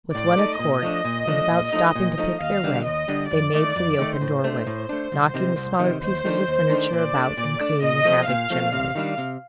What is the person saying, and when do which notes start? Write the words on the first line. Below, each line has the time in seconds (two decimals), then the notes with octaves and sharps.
With one accord, and without stopping to pick their way, they made for the open doorway, knocking the smaller pieces of furniture about and creating havoc generally.
0.15 A2 D5
0.37 A3 D#4
0.59 A#2 D#5
0.82 F3 A3 D4
1.05 A#2
1.27 F3 A3 D4
1.50 A#2
1.73 F3 A3 D#4
1.95 A#2
2.18 F3 A3 D#4
2.40 D#2 F5
2.63 D3 G3 D4
2.85 D#2 D#5
3.08 D3 G3 D4
3.31 F2 D5
3.53 D#3 A3
3.76 F2
3.98 D#3 A3
4.21 A2 C5
4.44 A3 D4
4.67 A2
4.89 A3 D4
5.12 C2
5.34 C3 D#3
5.56 C2
5.79 C3 D#3
6.02 D#2 C5
6.25 D#3 A3 D4
6.47 D#2
6.70 D#3 A3 D4
6.92 A#2 D5
7.15 A3 D4
7.37 A#2
7.60 A3 D4
7.82 A#2 D#5
8.05 F3 A3 C4
8.27 A#2 F5
8.50 F3 A3 C4
8.72 C3
8.95 D#3 G3 D4
9.18 C3